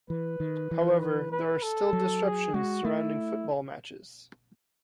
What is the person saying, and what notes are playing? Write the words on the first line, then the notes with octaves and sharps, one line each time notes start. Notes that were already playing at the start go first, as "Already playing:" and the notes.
However, there are still disruptions surrounding football matches.
E3 B4
D#3
E3
B4
B4
A4
F#3
G#4
G#3 F#4
A3 E4